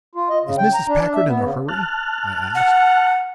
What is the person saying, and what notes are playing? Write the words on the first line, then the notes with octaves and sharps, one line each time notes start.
"Is Mrs. Packard in a hurry?" I asked.
F4
D#5
C#3
G5
A#5
D4
D4
E5
B3
C#3
A5 F6 F#6
F#5